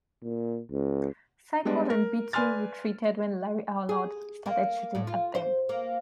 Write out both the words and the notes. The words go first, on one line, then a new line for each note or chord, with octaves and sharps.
Cyclone and Beetle retreated when Larry Arnold started shooting at them.
A#2
C#2
G3 G#3 B3 D4
A#4
B4 D5 G#5 C6 F6 A6
G#4
A#3
A2
F4
C5
A#3